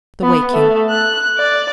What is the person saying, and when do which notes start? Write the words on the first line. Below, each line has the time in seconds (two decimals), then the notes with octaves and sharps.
The Waking.
0.23 B3
0.54 A3
0.90 F#6
1.38 D5